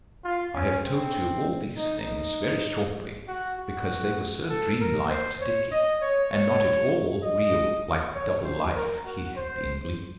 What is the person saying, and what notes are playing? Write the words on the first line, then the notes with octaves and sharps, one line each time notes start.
I have told you all these things very shortly, because they were so dream-like to Dickie, and not at all real like the double life he had been leading.
F4
C#4
C4
D#4
D#4
F#4
F#4
A4
A#4
C5
C#5
D#5
C#5
C#5
D#5
C#5
C5
A#4
F#4
C5